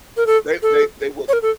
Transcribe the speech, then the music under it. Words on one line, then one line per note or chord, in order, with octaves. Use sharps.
They they they wouldn't.
A#4
A4
A4
C#5
A#4
A4